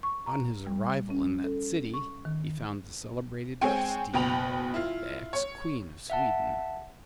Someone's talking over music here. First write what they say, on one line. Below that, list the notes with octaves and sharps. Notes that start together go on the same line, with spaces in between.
On his arrival in that city, he found the celebrated Christina, the ex-queen of Sweden.
C#6
A#5
G3
C#4
A4
C#6
D#3
G#3 C4 C#5 G5 G#5
F#1 B2 G5 B5 F7
E4 F4
C#5
E5 F#5 A5